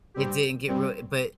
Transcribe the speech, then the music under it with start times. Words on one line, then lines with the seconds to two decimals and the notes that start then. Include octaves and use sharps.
It didn't get real but
0.14 G2 G3 C4 G4
0.67 G2 G3 C4